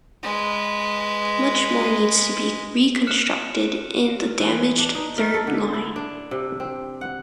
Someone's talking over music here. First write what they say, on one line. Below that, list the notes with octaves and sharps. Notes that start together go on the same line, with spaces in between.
Much more needs to be reconstructed in the damaged third line.
G#3 B4
F6 F#6 C#7 E7
E3
D4
D#4
A#4
A4
D3
E4
D4
C3
C4
F#5